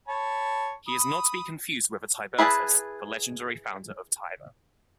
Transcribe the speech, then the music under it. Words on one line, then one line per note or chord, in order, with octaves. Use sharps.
He is not to be confused with a Tiburtus, the legendary founder of Tibur.
C#5 A5 B5
B5 D#6
E4 G#4 B4 D5 A5